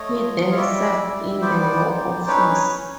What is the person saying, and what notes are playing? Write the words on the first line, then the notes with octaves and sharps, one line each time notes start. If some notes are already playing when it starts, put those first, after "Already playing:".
He then served in the War Office.
Already playing: A3 C#5 D#5
F4
F5
G3 D5 E5
G3
B3 C5 D5
D#4
C#4 B4 C#5
B4 C#5
C#4